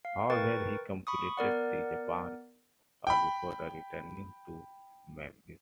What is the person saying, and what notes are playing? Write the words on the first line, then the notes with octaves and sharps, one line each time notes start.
However he completed the Japan tour before returning to Memphis.
F5
A#4 B4 G5 C#6 A6
B5 C#6 D#6
B3 A#4 D5 F#5
G5 B5